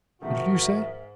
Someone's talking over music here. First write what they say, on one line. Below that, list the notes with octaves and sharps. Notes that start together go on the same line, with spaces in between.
"What did you say?"
G#2 D#3 F3 A3 F#4 A#4 E5